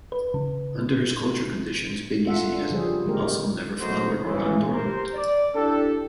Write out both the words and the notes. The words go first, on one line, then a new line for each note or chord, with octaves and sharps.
Under his culture conditions, 'Big Easy' has also never flowered or gone dormant.
B4
C#3
F4 A4 E5 F#5
D4
C#3 F3 G3 G#4 C5
D3 G3 G#3 A#3 G4 A#4
F#3 A3 D#4 F#4 A#4 C5
A1 C#3 E3
G4 A#4 C5
D5
D4 E4 G4 A4